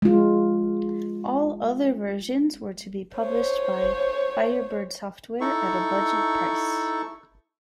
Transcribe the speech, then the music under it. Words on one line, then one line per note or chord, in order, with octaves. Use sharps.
All other versions were to be published by Firebird Software at a budget price.
G#3 F4
C5 C#5
D#4 E4 A4 C#6